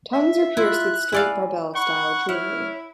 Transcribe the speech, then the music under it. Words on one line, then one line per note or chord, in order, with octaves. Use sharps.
Tongues are pierced with straight barbell style jewelry.
E5
E4 F4 F#6
E4 D5 F5 G#5
F#5 B5 C#6
E4 C#5 F#5 F6